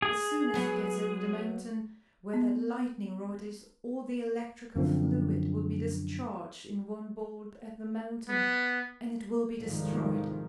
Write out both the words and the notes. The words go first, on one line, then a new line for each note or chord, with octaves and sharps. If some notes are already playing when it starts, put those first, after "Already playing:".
As soon as it gets over the mountain, where that lightning rod is, all the electrical fluid will be discharged in one bolt at the mountain, and it will be destroyed!
G#4
F#3 B3
B3
F#2 D3 F3 C4
B3
C2 F2 G#2 D#3 F3